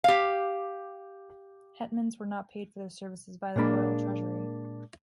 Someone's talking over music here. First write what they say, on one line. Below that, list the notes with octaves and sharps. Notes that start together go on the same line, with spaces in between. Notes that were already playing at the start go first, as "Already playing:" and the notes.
Hetmans were not paid for their services by the Royal Treasury.
G4 F5
A#2 G#3 A#3 D4 B5